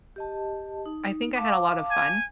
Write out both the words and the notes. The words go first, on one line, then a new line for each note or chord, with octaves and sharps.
I think I had a lot of fun
G4 D#5 A5
D#4
F5 A5 D6
G#5